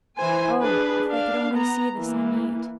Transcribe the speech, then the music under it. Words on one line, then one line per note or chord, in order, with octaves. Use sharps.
Oh, if they could only see the Psammead!
E3 C5 G#5
D4 G#4 B4
D4 F5
B3 A#5
E3 A#3